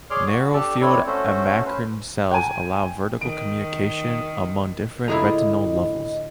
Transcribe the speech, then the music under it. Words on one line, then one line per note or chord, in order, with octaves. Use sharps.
Narrow field amacrine cells allow vertical communication among different retinal levels.
G#4 C#5 D5 C6 D6 F6
F#4
D4 G4 A4 D5 A5
C4 D4 E4 A4 C#5 D5
A3 C#4 F#4 A4 C5
C#4 B4 C5
G5 G#5
D#3 D7
A2 D3 E4 F4 G#4 D#5 A#5